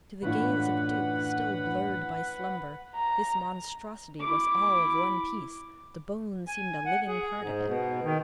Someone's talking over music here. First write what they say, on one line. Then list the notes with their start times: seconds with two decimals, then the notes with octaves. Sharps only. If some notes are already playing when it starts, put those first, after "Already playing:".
To the gaze of Duke, still blurred by slumber, this monstrosity was all of one piece--the bone seemed a living part of it.
0.23 F#2 A2 E3 D4 F4 B4 F#5 B5
2.96 A#5
4.20 E4 D6
6.48 G#5
6.85 F#5
7.08 G#4
7.41 G#2
7.67 B2
8.04 D#3